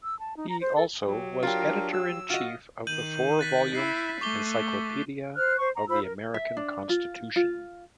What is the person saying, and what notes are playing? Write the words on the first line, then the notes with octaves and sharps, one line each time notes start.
He also was editor-in-chief of the four-volume "Encyclopaedia of The American Constitution".
E6
A5
D#4
A#5
C5
A4
F#3 G4
D4 F4 G4 A#4
E6
F4 F#4 D#5
D#3 G6 D#7 F#7
F#6 A6 B6
E4 C7
A3 C#6 D6 G7
C5 F6 F#6
C5 C#6
A#5
F4 C5 B5 E6
A#4
E5
D4
F4
F4